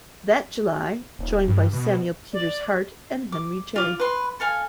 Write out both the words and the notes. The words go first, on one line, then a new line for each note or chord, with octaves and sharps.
That July, joined by Samuel Peters Hart and Henry J.
D#1
G2
B2
D5
D6
F4 D6
B4 C6
A4 F5 G#5